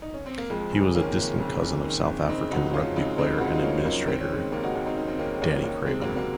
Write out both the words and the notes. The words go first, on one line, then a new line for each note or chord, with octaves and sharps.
He was a distant cousin of South African rugby player and administrator Danie Craven.
D#4
C#4
C4
A#3
F2 F3 G#3
F#1
D#3 A#3 C#4
F#1
F2
F#1
D#3
F#1
C#3 C4 D#4
C#2 D#4 F#4
F3 C#4 F4
C#2 C4 D#4
C#3 C4 D#4
C#2 F#4
F4
D#4
F3 A#3 C#4
C#2 F#3 A#3
D#3 C4
C#4
D#3 G#3 C4
D#2 A#3 C#4
D#4 F#4
D#2
C4 D#4
D#3 C#4
C4
D#3 A#3 C#4
D#2 A#3 C#4
D#2
C3 G#3 C4
F#3 A#3
C#2
F#3 A#3